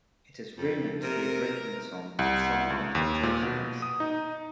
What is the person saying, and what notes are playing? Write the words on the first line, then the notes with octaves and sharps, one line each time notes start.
It is rumored to be a drinking song sung at Oktoberfest.
F2
C3 A#4
C2
C#2
D#2
A#2
B2
D#6
D#4